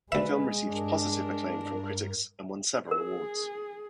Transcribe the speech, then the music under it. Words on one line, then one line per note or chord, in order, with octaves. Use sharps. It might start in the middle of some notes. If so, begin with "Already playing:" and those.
The film received positive acclaim from critics and won several awards.
D2 G#3 B4 E5
G2 D4 A#4
G#4 A#4